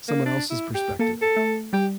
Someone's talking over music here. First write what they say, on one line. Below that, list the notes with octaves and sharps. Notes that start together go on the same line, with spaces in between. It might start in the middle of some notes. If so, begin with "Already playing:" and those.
someone else's perspective.
A#3
D4
E4
G4
A#3 A4
A4
A3
G3 G4